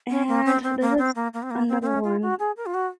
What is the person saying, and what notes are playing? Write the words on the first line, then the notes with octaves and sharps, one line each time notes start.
And there was another one
C#4
A#3
C4
C4
A#3
C4
A#3
A#3
C4
A#3
C4
C4
C#4
F4
F#4
G#4
A#4
F4
F#4